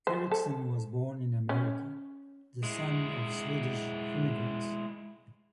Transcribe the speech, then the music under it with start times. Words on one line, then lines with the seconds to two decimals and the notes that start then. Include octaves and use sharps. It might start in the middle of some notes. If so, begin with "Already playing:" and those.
Erickson was born in America, the son of Swedish immigrants.
0.07 C5
0.31 A4
1.49 C#4
2.63 G#3 E4